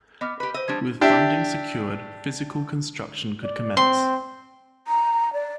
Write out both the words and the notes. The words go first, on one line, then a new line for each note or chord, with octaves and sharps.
With funding secured, physical construction could commence.
B3 D#5 D6 F6
G4 B4 B5
C5 D#5 E6
F3 G3 D4 G#6
D4 G4 E5
D5
C4 C6
A#5
D5